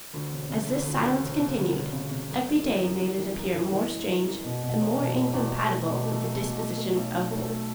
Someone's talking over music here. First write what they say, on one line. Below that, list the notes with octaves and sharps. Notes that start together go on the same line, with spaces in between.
As this silence continued, every day made it appear more strange and more incompatible with the disposition of both.
D2
E1
C#3
D2
D2
D2
E1
C#3
D2
E1
C#3
C#3
F#2
G#3
E3
F#2
F#2
E3
F#2
E3
E3
G#3
G#3
F#2
B2
B2
E1
B2
E2
E2
E2
A3
B2
A3
A3
B2
A3
A3
B1
B1
A3
A3